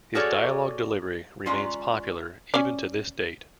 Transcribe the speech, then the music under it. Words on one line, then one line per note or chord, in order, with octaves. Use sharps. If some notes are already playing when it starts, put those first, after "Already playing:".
His dialogue delivery remains popular even to this date.
C#4 F#4 G#4 A4 C#5 D5
G#3 C#4 F4 D5 A#5
C#4 D5